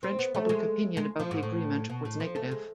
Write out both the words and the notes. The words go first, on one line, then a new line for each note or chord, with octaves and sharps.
French public opinion about the agreement was negative.
C4
B3
A3
G#3
G#3
F3
G#2
A2
B2
A2
F3
A3
G#3